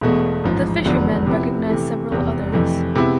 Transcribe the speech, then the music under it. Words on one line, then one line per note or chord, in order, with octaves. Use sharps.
The fishermen recognize several others.
E1 E2 B2 A3
A1 G#2 F3
F1 E2 D3 F3 B3
C3 F3 B3 E4
C3 E3 A3
F1 E2 C3
F2 C3 E3 A3
C3 G#3 B3 E4